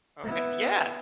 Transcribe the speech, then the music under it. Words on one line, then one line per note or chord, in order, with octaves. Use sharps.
Okay, yeah.
B3 E4